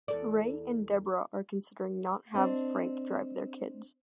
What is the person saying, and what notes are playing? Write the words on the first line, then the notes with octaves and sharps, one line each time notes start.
Ray and Debra are considering not have Frank drive their kids.
E2 A4 D5
C4 D4 D#5